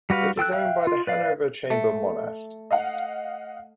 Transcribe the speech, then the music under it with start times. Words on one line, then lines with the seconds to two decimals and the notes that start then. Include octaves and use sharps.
It is owned by the Hanover Chamber monaste.
0.10 G3 F#4 B4 F5
0.37 A4 G5 E6 F#6
0.52 E5 F5 G5 F#6
0.87 F4
1.07 B4 D5 F5
1.70 A3
2.71 D#5 F5 F#5